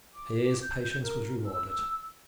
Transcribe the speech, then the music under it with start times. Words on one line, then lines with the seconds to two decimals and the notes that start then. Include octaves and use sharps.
His patience was rewarded.
0.14 D6
0.61 G6
1.03 A#4
1.46 E6